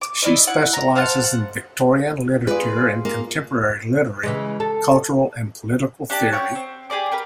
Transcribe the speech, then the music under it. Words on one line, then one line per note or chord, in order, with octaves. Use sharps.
She specializes in Victorian literature and contemporary literary, cultural, and political theory.
D6
E4 F4 D5 D#5
E4 F#5
A#5
C5 F5 F#5 A5
F#5
F4 G#4 B4 D5
A#3
C#3 E3 G#3
A4
D4 G4 D5 A5
C#5 F#5 G5
C4
G4 G#4 D5 D6
G4 A#4 B4